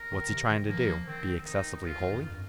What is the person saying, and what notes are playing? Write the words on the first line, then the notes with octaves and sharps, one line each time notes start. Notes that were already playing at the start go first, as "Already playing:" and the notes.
"What's he trying to do--be excessively holy?"
Already playing: A#4
D#3
C3
D#3
F3 A#3
D#3 C4
D#4
F4
F2
G2